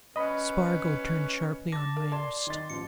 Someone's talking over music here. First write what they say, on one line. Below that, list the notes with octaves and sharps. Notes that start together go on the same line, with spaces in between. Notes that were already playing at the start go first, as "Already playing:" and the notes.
Spargo turned sharply on Myerst.
C#4 B4 D#5 B5
A5 D6 A#6
A#4
D5 A5 C6 G#6 E7
D#3 D#5 A6
A1 F3 C#7